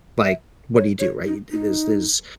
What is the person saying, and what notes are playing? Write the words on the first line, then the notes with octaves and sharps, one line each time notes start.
like, what do you do, right? Th there's there's
E5
C#5
C#5
D#4
D#4